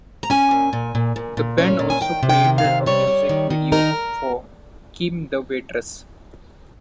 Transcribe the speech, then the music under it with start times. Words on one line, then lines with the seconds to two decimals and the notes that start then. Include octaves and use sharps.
The band also created a music video for "Kim The Waitress".
0.23 A#5
0.30 C#4 G#5
0.51 A#2
0.73 A#2
0.95 A#2
1.16 A#2
1.37 A#2
1.58 C#4
1.79 A#2
1.90 G#5
2.01 D#3 G5
2.23 C3
2.29 G5
2.44 D#3
2.58 F5
2.65 C3
2.86 G3 C#5
3.07 G3
3.29 D#3
3.50 D#3
3.72 D#4 A#4